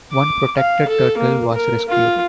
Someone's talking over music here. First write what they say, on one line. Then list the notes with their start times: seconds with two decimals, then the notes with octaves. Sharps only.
One protected turtle was rescued.
0.12 D6
0.57 F5
0.88 A4
1.18 A#3
1.53 A#4
1.89 F4